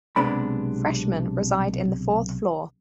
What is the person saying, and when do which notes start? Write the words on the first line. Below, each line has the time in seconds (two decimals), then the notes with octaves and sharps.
Freshmen reside in the fourth floor.
0.16 B1 C3 G#3 B3 D4 B5